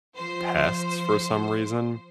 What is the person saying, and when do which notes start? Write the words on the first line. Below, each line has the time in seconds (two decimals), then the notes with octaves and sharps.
pests for some reason.
0.16 F3 C5